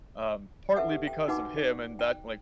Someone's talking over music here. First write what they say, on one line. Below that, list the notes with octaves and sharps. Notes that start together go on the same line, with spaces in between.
Um, partly because of him and that like,
A4 B4 E5 F#5 G#5
G4
G5
D#4 F#4 B4 F#5 G#5 D6
D5
G5